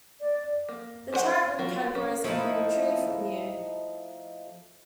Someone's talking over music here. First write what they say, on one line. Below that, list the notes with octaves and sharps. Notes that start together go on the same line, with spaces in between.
The chatroom categories can be retrieved from here.
D5
A#3
C#4 C5 C#5 F#5
F#3 F4 A#4
C#4
F3 A3 D#4 E4